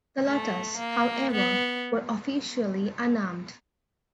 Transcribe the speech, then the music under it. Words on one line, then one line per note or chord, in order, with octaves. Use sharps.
The Lottas, however, were officially unarmed.
A3
A#3
B3